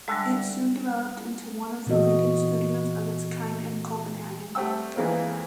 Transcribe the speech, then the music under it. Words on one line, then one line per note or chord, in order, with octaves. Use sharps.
It soon developed into one of the leading studios of its kind in Copenhagen.
D3 G3 G#3 A4 E5
A#2 E3 B3 F#4 D#5
G3 A3 C4 F#5 G5 E6
F2 E3 G#3 A#3 C4